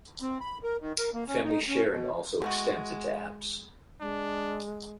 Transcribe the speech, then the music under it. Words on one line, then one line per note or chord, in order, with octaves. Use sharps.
Family Sharing also extends into apps.
C4
B5
A#4
D#3
A#4
A#3
C#4
D#4
C#4
B2
B2 G#3 A3 F#4
G#3 D4